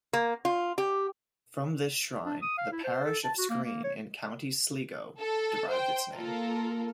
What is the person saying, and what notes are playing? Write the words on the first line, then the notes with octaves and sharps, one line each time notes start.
From this shrine the parish of Skreen in County Sligo derived its name.
A#3
F4
G4
D4
D#6
F5
E4
C5
A4
A5
F#4
A#3
A#3
C#5
A4
C5 G5
A#3 F4 A4 A#4